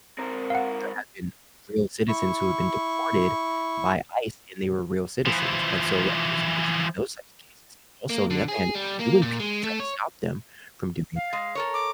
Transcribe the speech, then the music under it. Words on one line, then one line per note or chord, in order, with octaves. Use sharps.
there have been real citizens who have been deported by ICE, and they were real citizens, and so, like, there's a mix-up in those types of cases, and also on the other hand, if you do impede and try to stop them from doing that,
C4 A#4
F5 F#5
E4 C#6
E3 F3
A#3
D3
G#4
G3
A#3
A#2
G#3
A3
C#5
F5
G#3
A4 A#4 C#5
D6